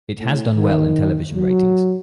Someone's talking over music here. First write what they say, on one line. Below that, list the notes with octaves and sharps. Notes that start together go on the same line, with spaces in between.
It has done well in television ratings.
A2
D#3
F#3